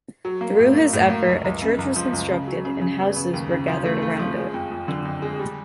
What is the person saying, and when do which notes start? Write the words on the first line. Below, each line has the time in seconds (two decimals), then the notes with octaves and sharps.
Through his effort, a church was constructed and houses were gathered around it.
0.25 F#3
0.41 A#3
0.59 A2
0.75 A#3
0.93 A2
1.10 A#3
1.27 C#2
1.45 C#2
1.62 C#3
1.79 C#2
1.96 F3
2.13 C#2
2.30 C#3
2.47 F#3
2.65 C#3
2.81 C#3
3.00 B3
3.16 C#3
3.34 D#2
3.51 C#3
3.68 F3
3.85 A3
4.02 A3
4.19 F3
4.37 G#3
4.54 F2
4.71 F2
4.88 D3
5.05 F2
5.22 G#3
5.40 G3